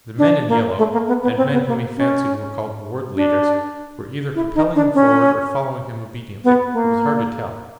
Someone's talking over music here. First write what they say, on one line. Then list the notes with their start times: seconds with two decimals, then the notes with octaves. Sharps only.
The men in yellow, and men whom he fancied were called Ward Leaders, were either propelling him forward or following him obediently; it was hard to tell.
0.18 D4
0.49 A#3
0.78 A3
0.93 A#3
1.08 B3
1.23 B3
1.37 C4
1.53 B3
1.68 A#3
1.97 C#4
3.16 D4
4.35 E4
4.55 D#4
4.75 D4
4.94 C#4
6.44 B3
6.73 A#3